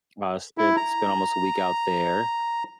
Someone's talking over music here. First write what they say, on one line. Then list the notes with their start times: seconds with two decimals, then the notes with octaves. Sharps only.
uh, spent spent almost a week out there.
0.58 E4
0.77 A#5